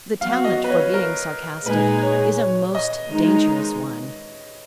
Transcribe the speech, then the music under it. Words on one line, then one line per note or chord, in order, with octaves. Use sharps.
The talent for being sarcastic is a most dangerous one.
F#3 B3 F#4 F5
D#5
B4
C#5
A#4
A#2 G#3 D#4 G#4 B4
C#5
C#5
D#5
D#3 G#3 D#4